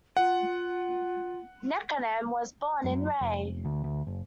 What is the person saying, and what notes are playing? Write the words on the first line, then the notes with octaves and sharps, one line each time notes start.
Nekounam was born in Rey.
F4 F#5
F#2
F1
D2
D2
F#1